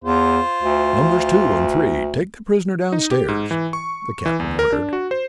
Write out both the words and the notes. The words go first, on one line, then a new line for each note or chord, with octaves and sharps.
"Numbers two and three, take the prisoner down-stairs!" the captain ordered.
E2 F4 C5
D2
D#4
G4
G#2
E3
C#6
E3
E2
A#4
D4
F#4
C5